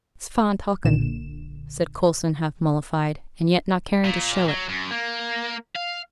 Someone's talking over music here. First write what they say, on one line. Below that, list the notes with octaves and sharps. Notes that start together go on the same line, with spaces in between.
'It's fine talking,' said Coulson, half mollified, and yet not caring to show it.
B1 A#2 D3 E7
A#2
F#3
F#2
A#3
F5